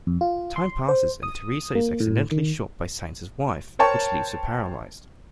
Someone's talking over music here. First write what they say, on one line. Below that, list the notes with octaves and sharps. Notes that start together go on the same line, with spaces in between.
Time passes and Teresa is accidentally shot by Sainz's wife, which leaves her paralyzed.
F2
F4
C6
C5
D#6
A#3
A2
D#3
A#4 C5 C#5 G5 A5 C#6